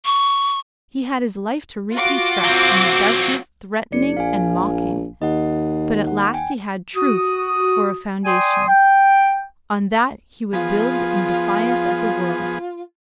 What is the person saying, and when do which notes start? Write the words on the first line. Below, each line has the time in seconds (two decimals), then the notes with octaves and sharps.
He had his life to reconstruct in the darkness threatening and mocking; but at last he had truth for a foundation; on that he would build in defiance of the world.
0.05 C#6
1.92 F4 F#4 D6
2.44 F#3 C4
3.92 F#1 D5 C#7
4.17 A#1 F5 G#5
5.22 D#2 D#5 F#5
6.07 F#5
6.34 G5 G#5
6.96 F#4 D#6
8.25 D5 G5 G#5 C6 D#6
8.68 G5
10.53 F3 B3 F4 G#4